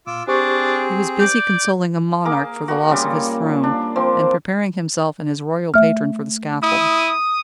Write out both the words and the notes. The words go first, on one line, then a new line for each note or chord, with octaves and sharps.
He was busy consoling a monarch for the loss of his throne, and preparing himself and his royal patron for the scaffold.
A#2 F4 D6 E6
C4 D4 G4 G#4 C5 C#6
D5 G6
A#3 G#4 A#4 D6
A#3 F#4
A#2 C#3 G3 D5
D4
F3 C4 D5
A3 E5 F6
E4 D#6